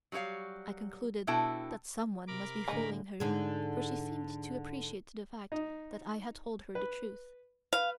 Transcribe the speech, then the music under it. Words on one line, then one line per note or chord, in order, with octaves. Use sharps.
I concluded that someone must be fooling her, for she seemed to appreciate the fact that I had told her the truth.
F#3 G3 E4 C#5 F5
B2 D4 E4 A4 G5 A5
C3 A#4 B5 D6
A2 D3 G#3 D#4
G#2 D3 G#4
D#4
B4
B4 F5